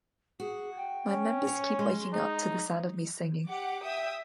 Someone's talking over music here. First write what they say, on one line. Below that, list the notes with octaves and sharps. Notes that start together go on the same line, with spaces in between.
My members keep waking up to the sound of me singing.
F#4 G#4
G5
C#4
C#5
G#3 C6
D#4 G#4
G4 F#5 D6
E5 G5 D#6